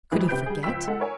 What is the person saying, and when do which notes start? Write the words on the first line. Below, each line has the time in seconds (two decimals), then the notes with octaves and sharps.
Could he forget?
0.12 F2 E3 G3 G#3
0.28 C3 G4 B4 G6 D7
0.46 G3 G#4
0.63 C#2 F3 G5 E6 B6
0.87 G#3 A4 F#5
1.00 A#4 C#5 G#5